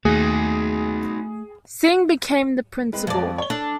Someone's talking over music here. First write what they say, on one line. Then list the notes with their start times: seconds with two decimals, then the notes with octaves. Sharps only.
Singh became the Principal.
0.05 D#2 A3 D#4 F#4 G#4
2.93 G#3 C4 B4
3.07 F2 D5
3.38 C#5 G7
3.50 D4 A4